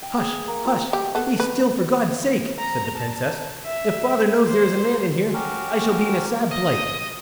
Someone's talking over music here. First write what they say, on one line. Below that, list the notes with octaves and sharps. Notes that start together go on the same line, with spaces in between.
'Hush! hush! be still for God's sake', said the Princess; 'if father knows there is a man in here, I shall be in a sad plight.
G5
G#4
A#3
F4
G4
B3 A4
B4
A#5
A5
E5
C5
C#4 F#4 G4 A#4
D#5